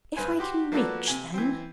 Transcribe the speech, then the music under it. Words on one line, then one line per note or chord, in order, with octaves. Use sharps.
"If I can reach, then."
G2 B4 C5 G#5
F#4 G4 C6 D6
F3 A#3 F#4 A4 B4 D5
C3 G#5
E3 C4